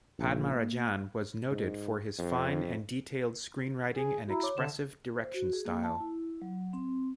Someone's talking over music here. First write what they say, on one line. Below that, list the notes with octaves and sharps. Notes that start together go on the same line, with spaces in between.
Padmarajan was noted for his fine and detailed screenwriting and expressive direction style.
A#1
A#3
G#2
F2
G#4
E4 F#4 A#5
C#5 D6
D3 E7
C5
F#4
G#4
A#3
A5
E4
F#3
C4